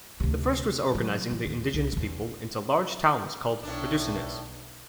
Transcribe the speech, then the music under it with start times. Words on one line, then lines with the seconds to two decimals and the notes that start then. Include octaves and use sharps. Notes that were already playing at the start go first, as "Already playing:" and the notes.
The first was organizing the indigenous peoples into large towns called "reducciones".
0.20 D2 C3
0.95 C#3 F#3
1.31 E3
1.45 D#2
1.74 C2
1.93 E2 C#3
3.63 B1 A2 D4